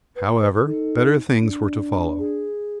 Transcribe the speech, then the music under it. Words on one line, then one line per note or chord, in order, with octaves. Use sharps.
However, better things were to follow.
B4
B4
D#4 A4
D4
G#4